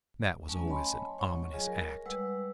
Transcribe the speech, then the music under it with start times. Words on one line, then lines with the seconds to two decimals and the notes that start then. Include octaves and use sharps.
That was always an ominous act.
0.48 F#3 A3 C#4 G#5 C#6
0.68 C#5 D#5 G#5 A5 B5 C6
1.19 C#5 F#5 C#6
1.53 F#3 F4 G#4 C#5 D#5 G#5
1.67 A#4
2.06 G3 G#3 B4 F#5 E6